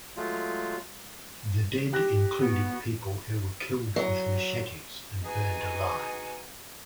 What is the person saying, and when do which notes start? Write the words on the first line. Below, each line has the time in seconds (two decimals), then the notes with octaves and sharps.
The dead included people who were killed with machetes and burned alive.
0.17 F#3 G#3 A3 F4
1.93 G4 F#6 A#6
2.39 B3 F#4
3.96 F#3
5.24 B3 D#4 F#4 G#4 D#5 G#5